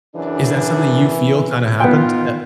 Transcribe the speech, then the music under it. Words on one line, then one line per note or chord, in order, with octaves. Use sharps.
Is that something you feel kinda happened? Eh
F#2 C#3 E3 D4
D#3 B3 F4 G5